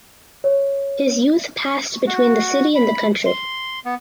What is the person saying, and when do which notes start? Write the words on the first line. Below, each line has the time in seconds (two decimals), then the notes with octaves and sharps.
His youth passed between the city and the country.
0.44 C#5
2.07 F#4
2.75 B5
3.26 C6
3.85 B3